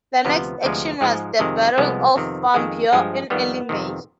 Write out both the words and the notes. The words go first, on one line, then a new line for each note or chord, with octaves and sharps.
The next action was the Battle of Fombio in early May.
D2 C3 F3 B3
D2 C3 F3 G#3
G#2 F3 G#3
F2 C3 D#3 G#3
C2 C3 F3 G#3 B3
F2 C3 D#3
F2 D#3 G#3
G2 F3 G#3
F2 D#3 G3 B3
F2 C3 D#3